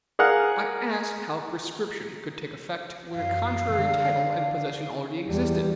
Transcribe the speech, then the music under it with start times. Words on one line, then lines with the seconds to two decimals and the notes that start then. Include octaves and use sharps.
I ask how prescription could take effect where a contrary title and possession already existed?
0.19 G#4 A#4 F5 F#5 F6 F#6
3.13 F#2 F5
3.74 D3
5.27 E2 G3